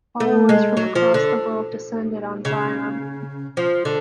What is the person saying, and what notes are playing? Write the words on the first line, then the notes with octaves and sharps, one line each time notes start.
Followers from across the world descended on Zion.
A3
G#3
F#3
F3
D3
C#3
F3
D3